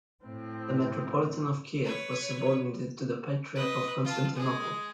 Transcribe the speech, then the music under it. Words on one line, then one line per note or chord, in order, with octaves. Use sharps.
The metropolitan of Kiev was subordinated to the Patriarch of Constantinople.
A2 C4
B4 C#5
B4 D#5
F4 A5
G#3 G#4